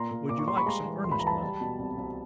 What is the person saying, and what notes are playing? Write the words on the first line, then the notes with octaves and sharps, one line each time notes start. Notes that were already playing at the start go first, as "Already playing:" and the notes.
"Would you like some earnest-money?"
Already playing: A#2 A#5 C6
A#2
A#2 D6
C#6
G3 C6
B5 C#6
G#3 A#5 C6
E3
D2 C6
B5
A#5
E3 A5 B5
G3
B2
C2
C2